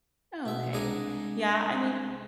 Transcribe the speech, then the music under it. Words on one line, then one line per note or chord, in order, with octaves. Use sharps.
Oh, okay, yeah, I mean
B2 E5
C2 G#3 D4 G#5 A#5 D#6